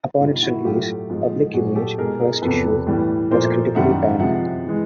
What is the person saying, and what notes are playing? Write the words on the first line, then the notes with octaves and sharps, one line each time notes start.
Upon its release, "Public Image: First Issue" was critically panned.
B2 G3 D#4 F4
E4 F#4
A2 F#3 A3 F4 G4
G#2 F3 G#3
A#2 F#3 A3 F#4 G#4
G4 A4
B2 G#3 G#4 A#4
G#4 A#4
E2 C3 F3 A4 B4
A2 E3 G3
A#2 F3 A3 A#4 C5
F#2 D#3 G3 E5 F#5
C3 F3 G#3 E5 F#5
E3 G#3